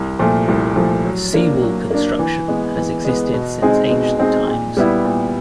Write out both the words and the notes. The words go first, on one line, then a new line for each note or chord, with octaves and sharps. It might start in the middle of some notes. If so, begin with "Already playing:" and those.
Seawall construction has existed since ancient times.
Already playing: C2
A#2 F3 A3
C2
A#2 F3 A3
F#3
A#3 D4
F#3
A#3 D4
E3
G#3 B3
E3
G#3 B3
B2
G#3 C4 D#4 G#4
B2
G#3 C4 D#4 G#4
A#2
G3 B3 E4
A#2